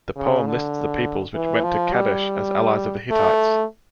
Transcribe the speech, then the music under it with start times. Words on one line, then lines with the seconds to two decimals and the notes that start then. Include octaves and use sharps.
The poem lists the peoples which went to Kadesh as allies of the Hittites.
0.17 C#3
0.46 D3
1.35 E3
1.63 F3
1.93 G3
3.11 A3